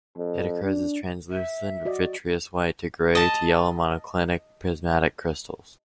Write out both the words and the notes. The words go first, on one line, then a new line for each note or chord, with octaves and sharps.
It occurs as translucent, vitreous white to grey to yellow monoclinic prismatic crystals.
F2
D4
E5
F#4 D5 D#5
D#5 A5